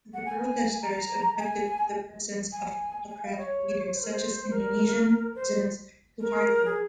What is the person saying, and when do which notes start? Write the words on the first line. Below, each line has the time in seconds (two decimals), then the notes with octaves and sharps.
The protesters objected to the presence of autocratic leaders such as Indonesian president Suharto.
0.14 F#5
0.26 G#5
0.82 A#5
1.39 G#5
2.52 G#5
3.09 G#5
3.23 F5
3.32 D#5
3.37 C#5
3.94 C5
4.02 A#4
4.10 C5
4.51 A#4
5.35 C5
6.20 A#4
6.65 G#4